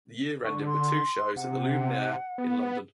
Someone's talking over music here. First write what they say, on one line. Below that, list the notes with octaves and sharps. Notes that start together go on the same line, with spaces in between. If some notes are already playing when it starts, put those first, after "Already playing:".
The year ended with two shows at the Luminaire in London.
D3 C#6
C6
C3 F#5
B3